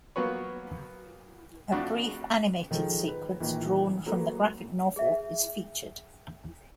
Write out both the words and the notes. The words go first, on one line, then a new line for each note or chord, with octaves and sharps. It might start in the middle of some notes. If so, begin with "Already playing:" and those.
A brief animated sequence drawn from the graphic novel is featured.
F#3 A#3 B3 B4 C#5
F2 A3 D4 F#4
D#3 F3 G#3 G#4 A4
B4
A#1 D#3 E3
F#3 A3 A#3 B4
G#4 E5